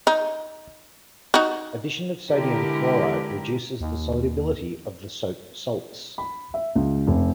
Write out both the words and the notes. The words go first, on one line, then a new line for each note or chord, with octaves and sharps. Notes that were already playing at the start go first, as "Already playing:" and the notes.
Addition of sodium chloride reduces the solubility of the soap salts.
D#4
D#4 F#4
D3 G#3 E4 G4 A#4
D#2
B5
E5
C#2
F1